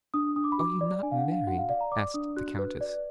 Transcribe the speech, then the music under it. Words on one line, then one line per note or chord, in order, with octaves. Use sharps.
"Are you not married?" asked the countess.
D4 D#6
D4 D#6
D6
B5
F#4 D6
D5
D4 G#5
F5
F#5
D4
F5
F#4 F#5
F5
D5 F5
A#5
D5 D6
D4 D#6
F#4 F#6
B4
D5